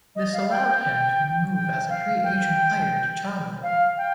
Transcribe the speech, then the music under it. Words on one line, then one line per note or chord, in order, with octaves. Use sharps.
This allowed him to move as a free agent player to Charleroi.
D#5
F5
G5
G5
G5
F5
G5
F5
G5